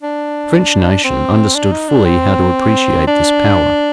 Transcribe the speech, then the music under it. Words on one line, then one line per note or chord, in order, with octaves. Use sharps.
The French nation understood fully how to appreciate this power.
D4
C4
D4
D#4
D4
C4
D4